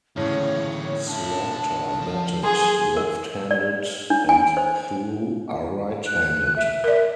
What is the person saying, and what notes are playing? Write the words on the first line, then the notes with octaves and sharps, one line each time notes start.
Slaughter batted left-handed and threw right-handed.
D2 A2 C#3 E3 C#5
D4 E5 A5
F3
F#3 G#4 G#5 C6
A#4
D5
D4
G#5
C5
F#6
E5
A#4 D5